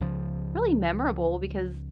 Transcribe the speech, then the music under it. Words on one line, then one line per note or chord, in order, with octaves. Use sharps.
really memorable, because,
C#2 C#3 F3